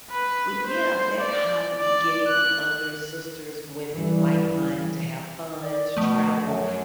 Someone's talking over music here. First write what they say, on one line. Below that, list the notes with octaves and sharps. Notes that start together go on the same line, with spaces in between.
But, yeah, that hobby, getting with other sisters, women, like-minded, to have fun, to travel,
B4
C5
D5
D5
F#6
E3 G3
D5
B2 F3 A3
F#2